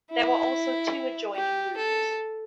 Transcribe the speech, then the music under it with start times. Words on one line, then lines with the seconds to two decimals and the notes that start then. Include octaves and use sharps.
There were also two adjoining rooms.
0.12 E4
1.36 G4
1.77 A4